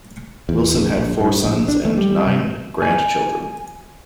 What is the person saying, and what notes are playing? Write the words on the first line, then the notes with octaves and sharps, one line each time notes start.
Wilson had four sons and nine grandchildren.
E2
A#1
A#1
G2
A#1
D4
A3
G3
C3
G#5